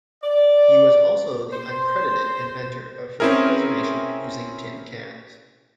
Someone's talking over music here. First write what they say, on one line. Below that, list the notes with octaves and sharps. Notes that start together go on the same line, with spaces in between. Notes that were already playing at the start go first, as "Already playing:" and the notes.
He was also the uncredited inventor of food preservation using tin cans.
D5
C5
C4 C#4 E4 G#4 A#4